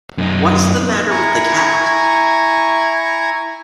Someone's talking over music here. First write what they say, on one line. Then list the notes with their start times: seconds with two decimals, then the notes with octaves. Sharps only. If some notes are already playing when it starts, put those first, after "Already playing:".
What's the matter with the cat?
0.18 F#2 D#4
1.10 E4 G#5 A#5 C#6